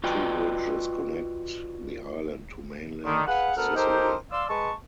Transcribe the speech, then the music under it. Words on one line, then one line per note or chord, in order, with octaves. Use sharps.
Two bridges connect the island to mainland Sicily.
F4 F#4 B4 D5 D#5 G5
D3 D#3
G#4 B4 F5 F#5
D2 B3 A4 A#4 F#5 F6
D#4 G4 A4 A#4 C5
D5 F5 C6 E6
G#3 B4 A5 C#6